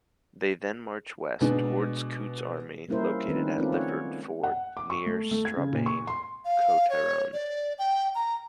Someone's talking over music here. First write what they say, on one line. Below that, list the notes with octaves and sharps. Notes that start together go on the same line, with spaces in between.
They then marched west, towards Coote's army located at Lifford ford, near Strabane, Co.Tyrone.
B2 G#3 D4
G3 A#3 C#4 E4 A#4 C5
D#3 A3 C4 C#4 D#4 B4
G#3 C4 C#4 F4 A4 D5
C#5 F#5
F#5
D6
C#6
A3
A3
G#6
C#3
A#2
C#6
C6
F5
C#5
D5
G5
A#5